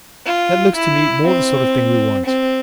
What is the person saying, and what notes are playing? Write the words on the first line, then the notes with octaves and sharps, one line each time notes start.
That looks to me more the sort of thing we want.
F4
E4
C4
C4